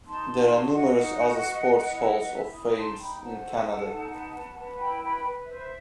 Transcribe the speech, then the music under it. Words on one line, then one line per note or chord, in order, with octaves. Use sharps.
There are numerous other Sports Halls of Fames in Canada.
D#4 A5 C6
D#4
F#4
F#4 D#5 F#5
D#4
F#4
B4
B4
E4
B4 D#5 F#5
E4 E5
E4 B5 D#6
D#4 A5 C6
D#4 G5 B5
C5 F#5 A5
A4
A4
D#4
B4
B4
B4
E4 G5 B5
B4 G5 B5
B4
C5 E5